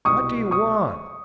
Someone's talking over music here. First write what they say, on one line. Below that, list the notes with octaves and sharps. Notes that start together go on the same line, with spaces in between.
"What do you want?"
C2 B2 C#6 D#6
C#6 D#6